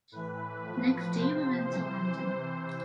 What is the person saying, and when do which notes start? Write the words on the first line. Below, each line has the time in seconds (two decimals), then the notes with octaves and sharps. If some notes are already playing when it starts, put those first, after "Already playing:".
Next day we went to London.
0.12 A2 E3 B4
0.63 A2 F3
1.14 C3 F3 C5
1.65 C3 E3